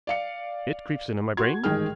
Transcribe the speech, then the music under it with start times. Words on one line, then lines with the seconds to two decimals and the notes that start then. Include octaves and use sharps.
"It creeps into my brain."
0.07 D5 F5 C#7
1.37 F#4 C6 G#6
1.64 A1 G#2 D#3 G#4 G5 F6